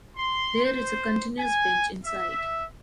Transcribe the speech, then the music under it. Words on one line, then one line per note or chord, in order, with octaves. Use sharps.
There is a continuous bench inside.
C6
C5
G#5
E5